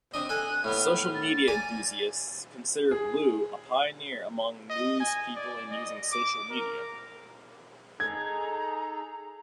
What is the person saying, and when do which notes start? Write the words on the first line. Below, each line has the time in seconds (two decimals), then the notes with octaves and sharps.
Social media enthusiasts consider Loo a pioneer among news people in using social media.
0.14 C4 D4 D#5 D#6
0.29 A4 G#5 F#6
0.64 A2 B3 F6
1.14 A6
1.48 D5 G#5 A#5
2.91 G#4
4.70 D#5
5.00 G#5
5.36 D5
5.71 D#5
6.12 D6
6.50 A#4
8.00 D#4 G#4 A4 A#5 G#6